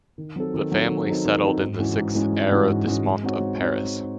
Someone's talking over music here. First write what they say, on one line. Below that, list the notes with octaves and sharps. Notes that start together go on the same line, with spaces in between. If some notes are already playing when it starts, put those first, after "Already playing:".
The family settled in the sixth arrondissement of Paris.
D#3
F#3 C4 D#4 A4
D#3
F#3 C4 D#4 A4
D#3
F#3 C4 D#4 A4
D#3
F#3 C4 D#4 A4
G#2
E3 G#3 C#4 F#4
G#2
E3 G#3 C#4 F#4
G#2
E3 G#3 C#4 F#4
G#2
E3 G#3 C#4 F#4
G#3
C4 D#4 F#4 C#5
G#3
C4 D#4 F#4 C#5